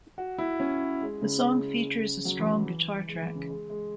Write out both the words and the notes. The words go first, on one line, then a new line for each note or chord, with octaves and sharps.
The song features a strong guitar track.
F#4
E4
C#4
G#3
C#3
F#3
E3
E3
E3
G#3
E3
C#3
G#3
G#3